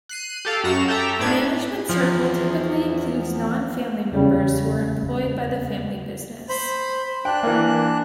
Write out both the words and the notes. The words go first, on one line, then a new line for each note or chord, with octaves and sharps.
The Management circle typically includes non-family members who are employed by the family business.
F#6 C7 D#7
G4 A4 F5
F#2 F#4 A#5 E7
G4 A4 E5 A#5
A2 B3 D4 B4 G#6 E7
E2 F3
E2 C#3 G3
C5 B5
D4 G5 F#6
E3 A#3